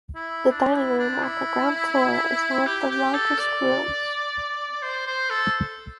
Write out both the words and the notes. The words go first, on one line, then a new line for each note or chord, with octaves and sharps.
The dining room on the ground floor is one of the largest rooms.
E4
D4
E4
D4
E4
G4
G4
A4
D5
C5
C5
A4